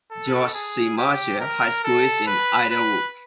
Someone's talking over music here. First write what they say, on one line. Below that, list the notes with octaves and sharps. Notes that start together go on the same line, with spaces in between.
George C. Marshall High School is in Idylwood.
A4
G#4
G4
A#4
A4
B4
B4